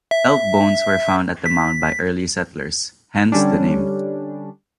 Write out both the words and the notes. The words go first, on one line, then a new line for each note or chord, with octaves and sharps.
Elk bones were found at the mound by early settlers, hence the name.
E5
B6
D3 G3 C#4 D4